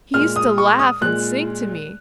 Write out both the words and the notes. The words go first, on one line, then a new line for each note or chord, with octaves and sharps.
He used to laugh and sing to me....
A#2 G#3 F6
D#6
C#6
D#6
A#2 G#3 F#6